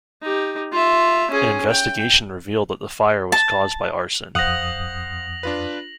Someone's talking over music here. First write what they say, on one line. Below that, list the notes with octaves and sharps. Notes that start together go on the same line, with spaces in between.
An investigation revealed that the fire was caused by arson.
D#4 G4
F4 E5
C#4 G#4
G5
A5
F2 C5 F5 F#5 D#6 A#6 F7 F#7
D4 F4 B4